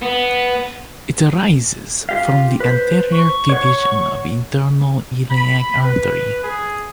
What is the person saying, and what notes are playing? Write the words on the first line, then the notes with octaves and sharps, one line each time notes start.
It arises from the anterior division of internal iliac artery.
B3
F4 G4 F5
B4 C5
C#6
C#5 F#5
B5
B4
G#4